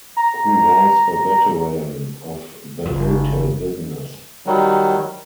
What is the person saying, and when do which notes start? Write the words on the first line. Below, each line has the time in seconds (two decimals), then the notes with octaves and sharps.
Who was a veteran of the hotel business.
0.17 A#5
2.86 F#1 F4
4.46 D#3 F#3 G3